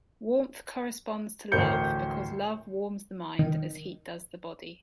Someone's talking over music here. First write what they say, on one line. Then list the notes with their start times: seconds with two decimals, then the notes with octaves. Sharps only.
Warmth corresponds to love because love warms the mind as heat does the body.
1.52 A1 D2 A#4 C5 G6 C#7
3.39 D#3